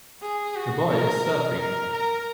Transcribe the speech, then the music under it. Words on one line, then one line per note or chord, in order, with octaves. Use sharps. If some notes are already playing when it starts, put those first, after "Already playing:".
A boy is surfing.
G#4
F#4
A#4
A#4
A#4